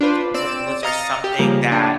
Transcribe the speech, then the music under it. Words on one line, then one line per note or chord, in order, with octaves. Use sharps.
th wa was there something that
D4 F4 B4 C5
C4 D5 E6 D7 E7
D#5 F5 A#5 F6 A6 C#7
G4
C#3 F3 G3 A#3
A#3 D4